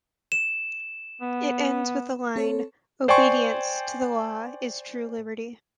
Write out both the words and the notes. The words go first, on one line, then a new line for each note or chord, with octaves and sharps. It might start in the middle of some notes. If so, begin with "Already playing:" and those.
It ends with the line, Obedience to the law is true liberty.
E7
B3
C4 A4 C#5
C5 D5 G5 G#5 C6 C#6